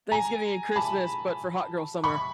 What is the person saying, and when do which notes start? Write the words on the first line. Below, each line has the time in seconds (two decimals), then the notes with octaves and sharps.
Thanksgiving and Christmas, but for hot girl summer.
0.12 G#5 A#5
0.76 A5 B5
2.04 B5 C#6